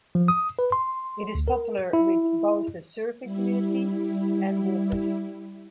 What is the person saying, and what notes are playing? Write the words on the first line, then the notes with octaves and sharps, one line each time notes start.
It is popular with both the surfing community and walkers.
F3
D#6
B4
C6
D2
A#4
E4
G3 E4